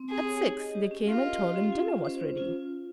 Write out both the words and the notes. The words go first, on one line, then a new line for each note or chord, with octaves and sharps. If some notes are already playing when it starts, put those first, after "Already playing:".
At six, they came and told him dinner was ready.
Already playing: C4
G4 G#4
C#5
D#4
D#5
G4
C#4
F4 A#4
D#5
G4
C#4
F4
C#4
C5
C#4
F4